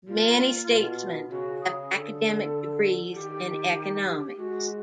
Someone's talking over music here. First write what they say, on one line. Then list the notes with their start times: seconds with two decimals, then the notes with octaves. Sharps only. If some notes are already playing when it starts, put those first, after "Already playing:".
Many statesmen have academic degrees in economics.
0.08 A#2 F4
0.69 B2
1.30 C#3 F#4
1.61 G#4
1.92 D3 A4
3.14 D#3 G4
4.37 G#3 F#4